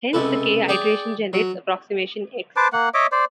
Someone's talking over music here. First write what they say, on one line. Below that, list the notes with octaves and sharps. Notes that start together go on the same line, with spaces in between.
Hence the "k" iteration generates approximation "x".
C#2 C3 A4 B4
G#4 D5 G5
F#3
B4 C5 A5 D6
A#3 F#5
C#5 D#5 E5 D6
C5 D5